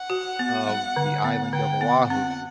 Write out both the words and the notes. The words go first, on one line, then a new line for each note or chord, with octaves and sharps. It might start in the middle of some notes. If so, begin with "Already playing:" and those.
of the island of Oahu
Already playing: F#5
F#4
B3
G3
D3
B3
D3 G5
B3 F#5
C4 F#5